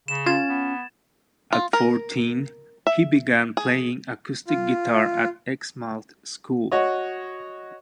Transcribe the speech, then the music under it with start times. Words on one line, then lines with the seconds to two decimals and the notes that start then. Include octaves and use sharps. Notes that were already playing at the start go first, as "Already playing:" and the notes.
At fourteen he began playing acoustic guitar at Exmouth school.
0.08 C#3 E7
0.26 C#4 F4 G#6 A6 E7
0.49 B3
1.53 F4
1.73 A#4
2.87 E5
3.57 G#4
4.48 F4
6.71 F#4 C#5 D#5